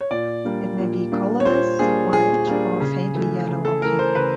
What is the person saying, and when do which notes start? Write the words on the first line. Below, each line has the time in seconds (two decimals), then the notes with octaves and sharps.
It may be colorless, white, or faintly yellow or pink.
0.01 C#5
0.11 A#2 D5
0.44 G3 A#3 D4
0.78 A#2
1.12 G3 A#3 D4
1.40 C#5
1.45 A#2 C5
1.79 G3 A#3 D4 G#4
2.13 A#2 G#4
2.47 G3 A#3 D4
2.80 C#3
3.15 E3 A3
3.49 C#3
3.65 A4
3.82 E3 A3 A#4
3.99 C5
4.15 C#3 B4